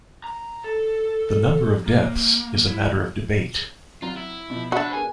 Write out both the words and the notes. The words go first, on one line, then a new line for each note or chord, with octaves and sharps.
The number of deaths is a matter of debate.
A#5
A4
A#3
E4
F#3 C4 F4 A#5
E4
B2 F3
D4 F#4 C5 E5 B5 E6
B3 G#4 A#4 G#5